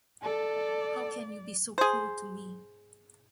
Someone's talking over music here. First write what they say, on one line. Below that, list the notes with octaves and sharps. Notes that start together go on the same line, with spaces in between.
How can you be so cruel to me?
A4 D5
G#4 C5